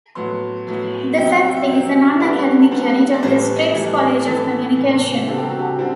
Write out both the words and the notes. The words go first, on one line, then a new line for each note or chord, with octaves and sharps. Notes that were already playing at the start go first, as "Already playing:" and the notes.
The Center is a non-academic unit of the Scripps College of Communication.
A2 F#3 B3 C6
A2 F#3 B3
C3 F#3 C4 G5
F#5
G5
E5
C3 F#3 C4
D3 G3 B3 D5
D3 G3 B3
D5
A2 E3 G3 B3 C5
A2 E3 G3 B3
A2 E3 B3 A4
A2 E3 B3
D3 G3 C4 A4
G4
F#4
G4
D3 G3 C4